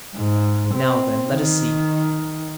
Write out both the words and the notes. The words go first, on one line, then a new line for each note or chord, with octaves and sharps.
Now, then, let us see.
G#2
C4
D#3